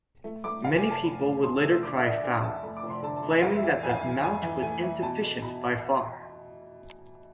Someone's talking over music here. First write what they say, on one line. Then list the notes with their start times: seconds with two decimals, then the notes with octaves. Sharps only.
Many people would later cry foul, claiming that the amount was insufficient by far.
0.24 A3
0.44 A3 D6
0.64 F1 F5
0.77 G#5
0.85 A3
0.91 A5
1.04 A3 B5
1.24 F1
1.44 A3 C6
1.57 E6
1.64 E3
1.71 E6
1.83 D3 D6
1.97 E5
2.04 D3 D5
2.10 E5
2.23 D3 G#5
2.43 F2 A5
2.63 A3 B5
2.77 D6
2.83 F1
2.90 C6
3.03 D3 A5
3.16 A5
3.23 F2
3.30 G#5
3.42 F2 F5
3.56 E5
3.63 E3
3.69 F5
3.83 F2 G#5
3.89 F5
3.96 G#5
4.03 E3
4.09 G#5
4.22 F2 G#5
4.42 E3
4.62 A3 G#5
4.82 E3
5.02 B2 A5
5.22 B2
5.42 B2 B5